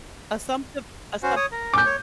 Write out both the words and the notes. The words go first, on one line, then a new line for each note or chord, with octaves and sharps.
Assumptive assump
C#4 F#4 C5
C#5 D#6
A#4
C#4 D6 G6
C#5